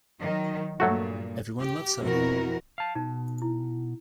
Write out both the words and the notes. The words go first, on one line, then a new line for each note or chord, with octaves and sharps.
Everyone loves her.
D#3 F#3
G2 A#2 F#3 A3 F#4
G4
F2 B2 C4 E4 F#4 A#4
F5 A5
B2 D#4
E4